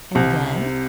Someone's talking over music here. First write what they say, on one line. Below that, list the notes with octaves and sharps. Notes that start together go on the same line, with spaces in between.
"And then?"
C2 C3